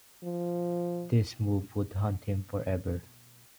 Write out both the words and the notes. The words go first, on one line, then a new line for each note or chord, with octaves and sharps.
This move would haunt him forever.
F3